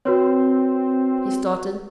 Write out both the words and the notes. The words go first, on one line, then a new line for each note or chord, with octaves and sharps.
He started.
C4 F#4 B4 C#5